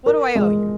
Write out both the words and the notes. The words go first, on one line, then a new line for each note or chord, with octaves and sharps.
"What do I owe you?"
A#4
G#3